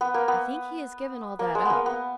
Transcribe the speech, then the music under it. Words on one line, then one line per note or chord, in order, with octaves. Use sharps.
"I think he has given all that up."
B3
A#3
B3
A#3
G#3
A#3 B3
B3